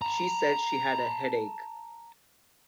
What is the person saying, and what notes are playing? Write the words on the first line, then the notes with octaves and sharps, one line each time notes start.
She said she had a headache.
A5 A#5